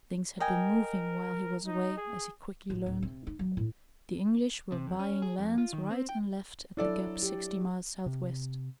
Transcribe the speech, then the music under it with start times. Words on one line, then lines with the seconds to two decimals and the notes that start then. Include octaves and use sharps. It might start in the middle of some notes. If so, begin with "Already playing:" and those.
Things had been moving while he was away, as he quickly learned. The English were buying lands right and left at the gap sixty miles southwest.
0.40 A#4 D#5 G5 G#5
1.66 D#4
1.97 G#4
2.70 A1
2.86 D1
3.03 C3
3.27 D#4
3.39 F#3
3.57 A2
4.72 C3
4.87 F2
4.99 C#4
5.22 G#4
5.39 F2
5.58 F4
5.73 D#3
5.91 C4
6.09 G5
6.77 F#3 D4 E4 A4 D5
7.23 G4
8.06 C3